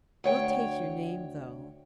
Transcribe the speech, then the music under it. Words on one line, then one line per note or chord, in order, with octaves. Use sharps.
"We'll take your name, though."
D2 C#5 G5